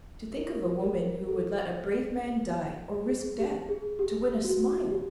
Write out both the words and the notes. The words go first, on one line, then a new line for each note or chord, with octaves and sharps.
To think of a woman who would let a brave man die, or risk death, to win a smile!
A#4
A#4
A4
G#4
G4
G#4
G4
F#4
G4